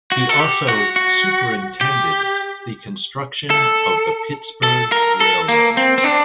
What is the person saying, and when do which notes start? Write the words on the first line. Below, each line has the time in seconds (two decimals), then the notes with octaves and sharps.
He also superintended the construction of the Pittsburg Railroad.
0.12 F#4
0.29 A4
0.40 G4
0.69 F#4
0.96 F#4
1.81 G4
3.50 A4
4.63 A4
4.92 A#4
5.21 A4
5.49 A#3
5.77 C4
5.98 C4
6.04 D4